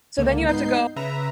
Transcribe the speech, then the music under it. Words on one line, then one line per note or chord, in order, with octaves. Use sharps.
So then you have to go
C#2 D3 A#3
G#2 B3 D#4 G6 C7
C#3 B4 E5 A#5